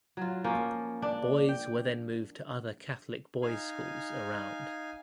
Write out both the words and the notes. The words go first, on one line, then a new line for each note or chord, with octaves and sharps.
Boys were then moved to other catholic boys’ schools around.
F#3 F4
F3 A#3 C#4 F4
D4
G5
D#4 F5 G#5